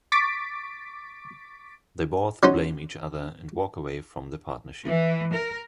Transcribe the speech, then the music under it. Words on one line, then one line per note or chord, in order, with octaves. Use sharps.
They both blame each other and walk away from their partnership.
C#6 D6 A6 B6 D7
F#3 C#4 D#4 C5
E3
A#4